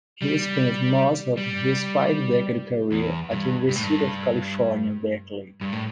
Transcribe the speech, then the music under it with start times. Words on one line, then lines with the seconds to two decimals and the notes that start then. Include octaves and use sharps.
He spent most of his five-decade career at the University of California, Berkeley.
0.22 G3
1.37 G3
2.92 E2
3.31 G2
3.69 G2
3.76 A2
3.83 G2
5.61 G2
5.73 A2